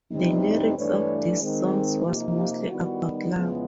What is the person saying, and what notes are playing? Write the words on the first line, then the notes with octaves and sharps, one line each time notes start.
The lyrics of these songs was mostly about love.
E2 B2 G3 C4 D#4
G2 E3 A3 D4 B4 C#5
D#3 G#3 C4
C3 F3 A#3 D#4 F4 G4
F4 G4
D#3 G3 B3 D#4 E4 F#4
E2 C#3 F3 G#3 B3